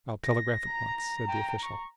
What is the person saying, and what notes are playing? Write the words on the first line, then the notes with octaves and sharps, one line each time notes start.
"I'll telegraph at once," said the official.
A#6
A#5
G5
C#6